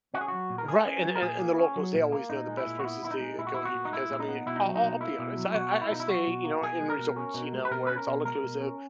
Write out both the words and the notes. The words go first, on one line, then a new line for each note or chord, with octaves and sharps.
Right. And and and the locals, they always know the best places to e go eat because, I mean, I'll I'll be honest. I I I stay, you know, in resorts, you know, where it's all inclusive.
C#4 F#4
G#4
F#3 F#4
A#2
A#4
A#3 G#4
C#4
F#3
A#4
A#2 G#4
A#3
C#4
F#3
A#2
A#3
A#2 D#4
G#3
E4
A#2
F#4
B3 E4
A#2 E4
D#4
G#3
A#2 E4
F#4
B3 E4
F#4
A#2
D#4
G#3 E4
A#2
D#4
B3
B2 E4
D#4
F#3
D#4
B2
A#3 E4
B2
F#3
B2 F#4
A#3
E4
B2 D#4
E4
F#3 F#4
B2
A#3
B2 G#4
G#3
A#4
B2
C#4
B2
G#3
B4
B2 A#4
C#4 B4
A#4
B2
G#3 A#4
B2
C#4